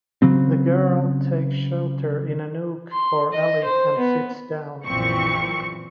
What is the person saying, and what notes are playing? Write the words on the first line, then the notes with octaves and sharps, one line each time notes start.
The girl takes shelter in a nook or alley and sits down.
C#3 F#3 C4
C6
D#5
C5
B3
A#1 F#2 A#2 E3 C4 C#6